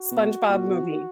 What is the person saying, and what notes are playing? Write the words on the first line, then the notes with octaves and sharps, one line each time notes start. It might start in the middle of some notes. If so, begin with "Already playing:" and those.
SpongeBob movie.
Already playing: F#4
B2
A#2
B2
F3
D#3